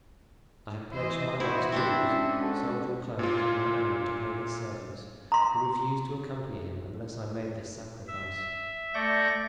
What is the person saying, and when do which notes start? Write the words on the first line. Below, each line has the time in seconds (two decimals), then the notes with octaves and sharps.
I have pledged my last jewels, sold your clothes and my own to pay his servants, who refused to accompany him unless I made this sacrifice.
0.91 E3 E4 C5 D#5
1.40 B3 E4 F#4 C5 E5
1.72 C4 D4 E4 E5
2.04 G#3 C#4
2.39 F#4 A4
3.19 A#2 F4
5.32 A#5 C6
8.08 E5
8.94 A3 D5 C#6 G6 A#6